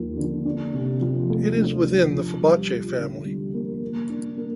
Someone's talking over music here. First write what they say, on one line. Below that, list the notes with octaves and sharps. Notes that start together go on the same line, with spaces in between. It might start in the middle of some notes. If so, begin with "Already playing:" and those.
It is within the Fabaceae family.
Already playing: D#2 F3 A#3
D3
D4
C3
F3
A3
D4
F3
F4
G3
F4
D3
G3
A#3
A#3
D4
A#3